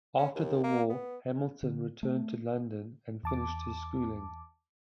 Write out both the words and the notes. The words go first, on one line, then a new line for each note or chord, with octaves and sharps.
After the war, Hamilton returned to London and finished his schooling.
C#4
D#2
A#3
B3
D3
A3
E2 A5 D6